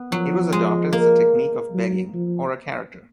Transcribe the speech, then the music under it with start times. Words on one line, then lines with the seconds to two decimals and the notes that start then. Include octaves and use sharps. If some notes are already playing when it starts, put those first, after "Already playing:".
It was adopted as a technique of begging, or a character.
Already playing: B3
0.12 F3 F#3
0.52 G#3
0.93 A#3
1.74 F#3
2.14 F3